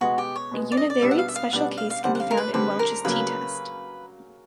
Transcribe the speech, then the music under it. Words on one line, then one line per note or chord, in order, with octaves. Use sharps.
A univariate special case can be found in Welch's t-test.
B2 G#3 B3 F#4
G4
C#5
B2 G#3 B3
D5
D#5
D5
B2 G3 B3 D4 E5
F#5
F5
E5
F5
B2 G3 B3 D4 F#5
F5
F5
D3 G3 C4 F#5
F#5
F5
A#4
B4
D3 G3 C4 B4
A#4
C#3 F#3 A#3 B4